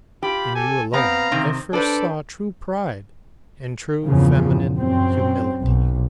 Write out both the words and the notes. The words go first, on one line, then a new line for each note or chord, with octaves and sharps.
In you alone I first saw true pride and true feminine humility.
F4 G4 B5
A4 G#5
B3 C4 F5 A#5
C3 D#3 C4
D4 A4 B4 C5 D5
E2 G2 A#2 C#3 F3
F#2 C4
B1